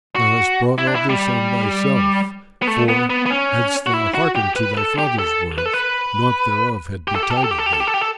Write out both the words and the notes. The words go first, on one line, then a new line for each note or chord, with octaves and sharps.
Thou hast brought all this on thyself; for, hadst thou hearkened to thy father's words, naught thereof had betided thee.
F#4
E4
D4
E4
G3
B3
A3
B3
B3
B3
C#4
F#4
E4
F#4
G4
B4
A4
G4
A4
B4
A4
B4
G4
A4
G4
A4
G4
A4
G4
A4
G4
A4
G4
A4
G4
A4